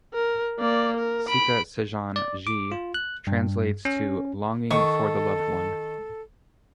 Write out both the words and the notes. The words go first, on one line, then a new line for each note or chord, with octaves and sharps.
Sika Sajan Jee translates to ‘"Longing for the Loved One"’.
A#4
A#3 D5
A#4
B5 D7
D5
D6
F4
F#6
G2
C#4
D#3 A4 C#6